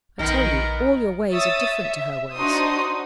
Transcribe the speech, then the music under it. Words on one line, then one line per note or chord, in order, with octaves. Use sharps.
I tell you, all your ways are different to her ways.'
A#1 D#3 B3 A#4
C#5 E5 D#6 E6 A6
E5
D4 D#4 F#4 C5 C6 D#6